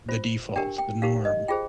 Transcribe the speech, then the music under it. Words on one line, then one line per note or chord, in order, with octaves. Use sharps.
the default, the norm,
F4 C5
D4 G4 A#4 G5
G5
D#4 G4 A#4 F5
D#5
F4 G#4 C5 G5